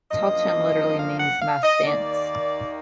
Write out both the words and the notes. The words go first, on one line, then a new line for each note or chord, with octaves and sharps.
Talchum literally means mask-dance.
F#2 F3 A#3 D4 D#5
F5
F#5
F5
D#5
D#2 D#3 A#3 D5